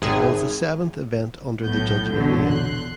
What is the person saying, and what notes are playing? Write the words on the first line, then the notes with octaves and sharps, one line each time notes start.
It was the seventh event under the Judgement name.
G#1 G#4
B1 A2 F#3 B3 G6
A#1 E2 B2 D3 F#3
C6 F#6